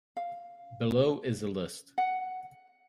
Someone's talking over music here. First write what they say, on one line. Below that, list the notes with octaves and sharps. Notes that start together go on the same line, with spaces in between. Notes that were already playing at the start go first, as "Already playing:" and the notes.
Below is a list.
F5
F#5